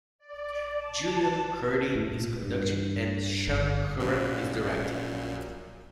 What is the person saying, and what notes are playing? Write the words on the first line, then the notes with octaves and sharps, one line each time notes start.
Julian Kuerti is conducting and Sean Curran is directing.
D5
A5
A2
A#2
G2
G1
A#1 F#2 A#2